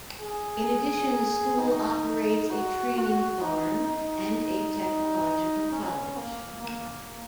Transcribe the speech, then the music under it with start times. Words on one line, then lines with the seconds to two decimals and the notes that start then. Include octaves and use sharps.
In addition, the school operates a training farm and a technological college.
0.21 G#4
1.59 D#4
2.50 F#4
2.96 F#4
3.42 D#4
3.88 D#4
4.79 D#4
5.71 C#4
6.17 A#3
6.62 A#3